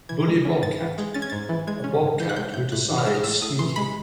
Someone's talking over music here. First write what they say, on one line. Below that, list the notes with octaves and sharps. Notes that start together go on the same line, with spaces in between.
Bully Bobcat: a bobcat who decides Squeaky.
E3 G#6
G#3
C#4
G#2 A6
E3
G#3
C#4 A6
G#6
G#2 A6
E3
G#3 G#6
C#4
G#2
E3 G6
F#6
G#3 G6
A2 G6
A2 F#6
E3
F6
G#3 E6
F6
A2 E6
A2 D#6
E3 C6
G#3 B5